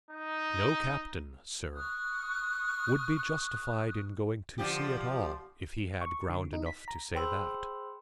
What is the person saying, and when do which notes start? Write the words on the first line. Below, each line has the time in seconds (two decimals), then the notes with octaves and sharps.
No captain, sir, would be justified in going to sea at all if he had ground enough to say that.
0.11 D#4
1.73 C#6 D#6 F6 F#6
4.58 D3 F3 G4
6.01 C#6
6.30 D3
6.53 D#4
6.66 B6
6.88 A#5
7.14 G#4 C5 G5 B5 C6 E6